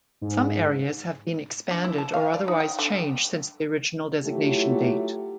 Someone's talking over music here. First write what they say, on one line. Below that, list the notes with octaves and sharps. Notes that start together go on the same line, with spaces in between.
Some areas have been expanded or otherwise changed since the original designation date.
G#2
D4
E4
A5
F5
D5
D#4
G5
D3
F#3 A3 E4 F4 G4